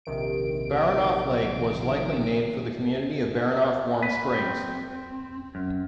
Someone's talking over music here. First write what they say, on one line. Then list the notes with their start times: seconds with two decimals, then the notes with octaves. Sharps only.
Baranof Lake was likely named for the community of Baranof Warm Springs.
0.05 A#1 C3 D#3 D7
4.03 B4
4.35 C4
5.55 F#2